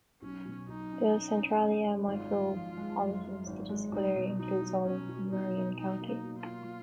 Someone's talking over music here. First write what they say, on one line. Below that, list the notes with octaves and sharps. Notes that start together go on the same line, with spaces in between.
The Centralia Micropolitan Statistical Area includes all of Marion County.
B1 C#4
B2
B1 D#4
C#4
C#4
C#4
C#4
G#3
G#1 F4
G#1
F3
G#3
F#2
F#2
G#1
G#3
B1 D#4
B2
F#3 D#4
F#3
B2 C#4
F#3
B2 D#4
B2
F#3 D#4
A#3
D#4
F#3
F4
A#3